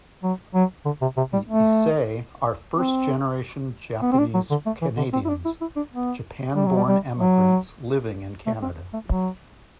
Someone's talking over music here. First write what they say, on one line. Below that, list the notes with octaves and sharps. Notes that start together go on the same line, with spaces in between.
The "Issei" are first-generation Japanese-Canadians, Japan-born emigrants living in Canada.
F#3
F#3
D3
C3
C3
G3
A3
C4
B3
C4
D4
F#3
D3
A3
E3
D3
C4
E4
D4
E4
E4
D4
B3
G3
F#3
G3
G3
F#3
A3
C4
A3
F#3